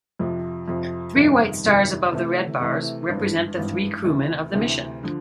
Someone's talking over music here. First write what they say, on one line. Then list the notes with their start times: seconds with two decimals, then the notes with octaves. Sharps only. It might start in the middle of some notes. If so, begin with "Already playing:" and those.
Three white stars above the red bars represent the three crewmen of the mission.
0.19 F2 C3 F3
0.68 F2 C3 F3
1.15 G1 F2 C3 D#3 G3
1.65 G1 F2 C3 D#3 G3
2.12 C3 E3 A3
2.60 C3 E3 A3
3.09 G#1 G2 E3
3.57 G#1 G2 E3
4.04 D2 C3 E3
4.54 D2 C3 E3
5.03 D3 F3